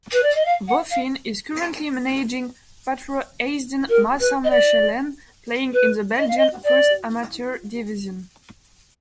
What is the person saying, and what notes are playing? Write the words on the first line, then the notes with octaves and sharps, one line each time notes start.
Boffin is currently managing Patro Eisden Maasmechelen playing in the Belgian First Amateur Division.
B4
D5
D#5
F5
F#5
F5
A#4
B4
D#5
D5
B4
D#5
F5
D#5
D5